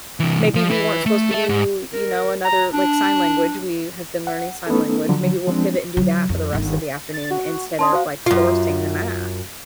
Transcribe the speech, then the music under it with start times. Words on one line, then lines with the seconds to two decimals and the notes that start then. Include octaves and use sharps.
maybe we weren't supposed to do, you know, another like, sign language, we have been learning sign language. Maybe we'll pivot and do that for the rest of the afternoon instead of, like, forcing the math.
0.20 C3 E3
0.55 F3
0.70 E4 B4
1.06 A3
1.31 A4 E5
1.49 G#2
1.93 A#4
2.45 A#5
2.73 D4
4.27 F#5
4.67 A3 B3 C#4 D#4 A4
5.09 D3 F3 F#3
5.47 F3 G#3 C4 D4
5.97 D3 F#3
6.29 F2
6.53 G1 D#3
7.14 A6
7.31 F#4
7.79 C#4 A5 C6 D#6
7.93 F#4 C5 F5
8.26 F#2 F4